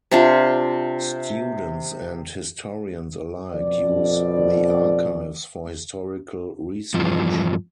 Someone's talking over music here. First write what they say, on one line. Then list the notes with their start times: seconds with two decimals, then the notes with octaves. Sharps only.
Students and historians alike use the Archives for historical research.
0.11 C3 D4 F4
3.54 F2 B2 D5
6.94 E2 G2 F3